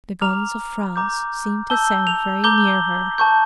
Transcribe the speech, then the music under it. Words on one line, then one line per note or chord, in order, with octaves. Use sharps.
The guns of France seemed to sound very near her.
A#5 D6 F6 F7
A#5 D6 G6
A5 E6 G6 G7
F7
A#5 D6 G6 G7
A5 C#6 G6